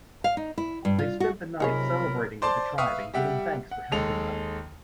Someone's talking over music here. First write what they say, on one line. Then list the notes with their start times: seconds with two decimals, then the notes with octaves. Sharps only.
They spend the night celebrating with the tribe and getting thanks for helping them.
0.24 F5
0.37 D#4
0.58 E4
0.85 G2
0.99 F4
1.20 F#4
1.60 C3 F#3 D#4 F4 G#4 A#4 C#5 B5
2.42 C5 D5 A5 C6
2.78 B4 E5 F5 C#6 D#6
3.14 G3 G4 E5 F#5
3.71 F#5
3.92 D#2 G#3 A4 F7